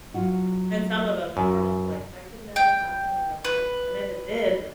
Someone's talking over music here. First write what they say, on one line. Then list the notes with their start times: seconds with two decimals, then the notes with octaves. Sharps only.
And some of them are also like, "That could never happen in real life." And if it did, like,
0.14 F#3 F4 F#4
1.37 F#2
2.56 G5
3.44 B4